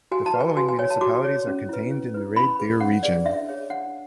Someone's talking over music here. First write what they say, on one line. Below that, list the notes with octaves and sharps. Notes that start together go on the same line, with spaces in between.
The following municipalities are contained in the Red Deer Region.
F#4 G#5
A5
B4
G#5
F#4 G#5
G#5
C#5 G#5
A5
F#4 D6
C#5
C#4
E4 B4
C#4
E4 B4
C#4 B5
G#4 B4
C#4 F#5
G#4 B4 D5
D4 E5
G#4 C#5
D4 F#5